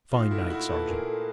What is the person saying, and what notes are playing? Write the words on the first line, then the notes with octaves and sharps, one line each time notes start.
'Fine night, sergeant.'
A#2 D#4 F4
A3 E4 F#4
A#2 E4 F#4
A#2 A4 B4
A#2 G#4 A#4
A3